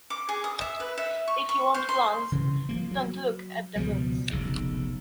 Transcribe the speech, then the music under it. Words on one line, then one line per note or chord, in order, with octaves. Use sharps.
If you want plums, don’t look at the moons.
D6
G#4
D#6
E5
B4
E5
C#6
C#6
C5
C6
C#3 E3
F3 F#3 A#3
F#3
C#2 B2 F3 G3
F1 B1 C#3